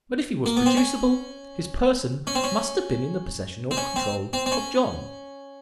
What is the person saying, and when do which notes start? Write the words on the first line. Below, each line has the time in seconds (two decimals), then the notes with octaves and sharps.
But if he was producible, his person must have been in the possession or control of John.
0.46 A#3
0.57 B3
0.66 C4
0.77 C#4
2.27 C#4
2.35 C4
2.44 C#4
3.71 C4
3.77 C#4
3.96 C4
4.33 C4
4.46 C4
4.52 C#4